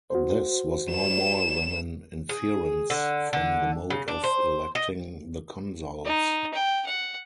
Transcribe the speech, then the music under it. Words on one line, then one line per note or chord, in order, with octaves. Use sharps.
This was no more than an inference from the mode of electing the consuls.
F#4 C5
E7
G#4
D3
D3
C#3
D4
C5
D#5
D#4
G5
F#5